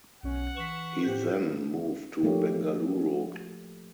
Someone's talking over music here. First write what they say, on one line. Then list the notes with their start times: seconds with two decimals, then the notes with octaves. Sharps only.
He then moved to Bengaluru.
0.23 B1 C#4 F#5
0.56 E3 C#6 B6 E7
1.04 A2 G4 C5
2.23 F3 A3 A#3 G4 C#5